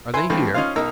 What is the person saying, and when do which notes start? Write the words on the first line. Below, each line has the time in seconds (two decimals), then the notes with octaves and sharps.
"Are they here?"
0.14 E4 B4 E5 G#5 C6
0.30 D3 E3 F3 A3 C4
0.54 C#4 D#4 F4 C5 F5
0.76 B1 D#4 A#4 A#5 E6